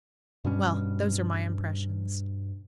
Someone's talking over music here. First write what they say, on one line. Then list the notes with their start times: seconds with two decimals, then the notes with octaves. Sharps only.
Well, those are my impressions.
0.45 G2 B2 G3 C#4